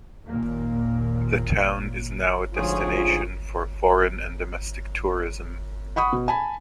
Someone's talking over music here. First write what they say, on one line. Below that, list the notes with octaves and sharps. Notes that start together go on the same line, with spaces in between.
The town is now a destination for foreign and domestic tourism.
D#2 A#2 A#3
D2 G#2 F3 G#4 C#5
F#5 B5 C#6 D#6
B2
G#5 A5 B5